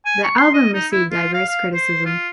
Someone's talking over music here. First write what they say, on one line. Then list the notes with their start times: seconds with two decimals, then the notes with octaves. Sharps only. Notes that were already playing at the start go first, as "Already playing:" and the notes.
The album received diverse criticism.
0.06 G#5
0.23 C#6
0.38 C6
0.53 D#5
0.74 D#4
0.92 E4
1.11 F4
1.34 F5
1.49 F5
1.74 C5
2.06 F4